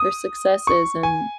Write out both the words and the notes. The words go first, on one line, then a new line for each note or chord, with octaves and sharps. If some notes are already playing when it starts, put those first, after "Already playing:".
their successes, and
Already playing: D#6
C#6
G#5